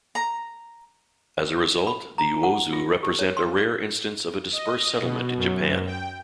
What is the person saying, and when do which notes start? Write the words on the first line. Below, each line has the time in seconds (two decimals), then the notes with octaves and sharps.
As result, the Uozu represent a rare instance of a Dispersed settlement in Japan.
0.15 A#5
1.87 B5
2.18 A#5
2.43 F#5
2.73 F4
3.03 G4
3.19 C#5
3.37 C6
4.52 D#5
4.99 B2
5.36 F#2
5.86 G5